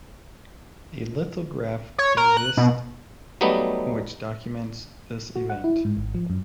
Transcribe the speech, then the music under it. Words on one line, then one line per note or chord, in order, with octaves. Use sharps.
A lithograph exists, which documents this event.
C#5
A#4
F#6
B2
F#3 G3 A3 B3 D#4
F#4
F#5
E4
G#2
G#1
F3
F#2